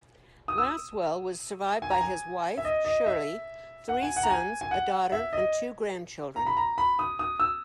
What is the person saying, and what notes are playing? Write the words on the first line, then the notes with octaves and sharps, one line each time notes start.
Lasswell was survived by his wife, Shirley, three sons, a daughter and two grandchildren.
D#6
E6
G#5
A#5
G#5
E5
D#5
D#5
E5
F#5
G#5
F#5
A#5
G#5
G#5
F#5
E5
D#5
A#5
B5
A#5
B5
D#6
D#6
E6